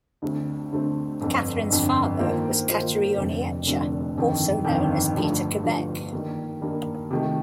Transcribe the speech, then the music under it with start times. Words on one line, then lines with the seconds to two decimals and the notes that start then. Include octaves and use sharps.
Catherine's father was "Katarioniecha," also known as Peter Quebec.
0.22 D2 D3 A3 C4
0.71 D2 D3 A3 C4
1.21 G1 F2 D3
1.70 G1 F2 D3
2.19 D#3 A#3 F4 C5
2.68 D#3 A#3 F4 C5
3.17 F1 F2 D3 A3
3.67 F1 F2 D3 A3
4.16 G1 F2 D#3
4.65 G1 F2 D#3
5.14 G1 G2 F3 A3
5.63 G1 G2 F3 A3
6.13 G2 D#3 A#3
6.62 G2 D#3 A#3
7.11 C3 D#3 A3